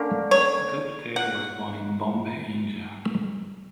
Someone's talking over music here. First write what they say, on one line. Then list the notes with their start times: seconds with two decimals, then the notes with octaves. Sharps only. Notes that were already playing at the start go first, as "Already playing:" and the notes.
Gupte was born in Bombay, India.
Already playing: D3 A#3 C#4
0.31 C#5
1.16 F#5